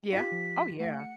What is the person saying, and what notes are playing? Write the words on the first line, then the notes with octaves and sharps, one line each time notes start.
Yeah. Oh, yeah.
D#4 F4 G4 B6
F3
A3 F#5
C#7